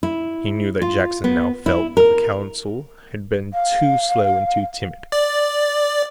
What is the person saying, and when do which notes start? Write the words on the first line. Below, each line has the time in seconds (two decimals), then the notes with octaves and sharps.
He knew that Jackson now felt that the council had been too slow and too timid.
0.03 E4
0.82 F4
1.24 B3
1.66 E4
1.97 A#4
3.53 F5
5.12 D5